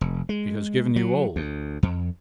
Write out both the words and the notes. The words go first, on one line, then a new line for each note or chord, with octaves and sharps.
She has given you all.
F1
G#3
F#3
D2
F2